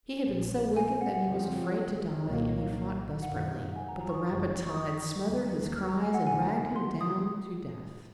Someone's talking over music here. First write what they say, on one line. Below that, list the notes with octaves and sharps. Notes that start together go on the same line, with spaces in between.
He had been so wicked that he was afraid to die and he fought desperately, but the rapid tide smothered his cries and dragged him down--to death.
A#1 A#2 F3
G#5
F#5
F#5
F2 C#3 F3 C4
C#5
C2 A#2 F#3 A#3 D#5
F#5
F#2 D#3 F#3 F5
F#5
G#5
A#5
A#5
C#6
D#6
F#1 F#2 F3
C#6
D#6
D#2 C#3 F#3 A#3
F6
A#5
G#5
F#5
C#2 C3 D#3 G#5
C6
D#6